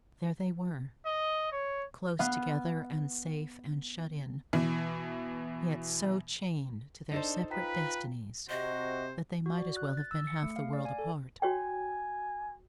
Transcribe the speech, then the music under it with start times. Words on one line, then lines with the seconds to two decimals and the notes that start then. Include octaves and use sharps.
There they were, close together and safe and shut in; yet so chained to their separate destinies that they might as well have been half the world apart.
1.06 D#5
1.52 C#5
2.19 B3 F5
4.53 B2 E3
7.11 D4 D#4 A4 C5
7.51 F4 B4 G5 A#5 B6
8.49 C3 F#4 C5 D#5
9.46 F#4
9.58 D5
9.77 F#6
9.97 A6
10.11 E6
10.27 C#7
10.43 A3
10.56 F5
10.73 D5
10.85 G#5
10.99 A4
11.42 F#4 C#5 G5 G#5